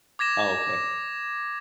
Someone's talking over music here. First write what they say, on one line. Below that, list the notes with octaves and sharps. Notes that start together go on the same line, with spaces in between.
Oh, okay.
D6 G#6 A#6 E7